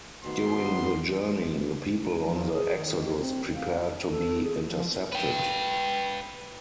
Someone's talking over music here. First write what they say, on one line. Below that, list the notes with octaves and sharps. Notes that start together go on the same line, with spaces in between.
During the journey, the people on the "Exodus" prepared to be intercepted.
D#3 A3 B3 C4 D#4 F#4 C6
F3
G#4
D#3
C4
F5
A4
G#4
F3
B4 G5